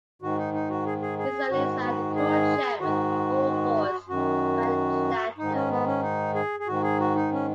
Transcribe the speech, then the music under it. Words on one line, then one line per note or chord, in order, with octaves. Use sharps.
"Lisa Lisa and Cult Jam with Full Force" went platinum.
G#2 D#3 F#4
D#4
D#4
F#4
G#4
G#4
G#4
G#2 D#3 F#4
F#4
G#4
G#2 D#3 F#4
F#2 D#3 F#4
G#2 D#3 D#4
C#4
B3
C#4
D#4
G#4
G#4
G#2 D#3 F#4
G#4
F#4
D#4
C#4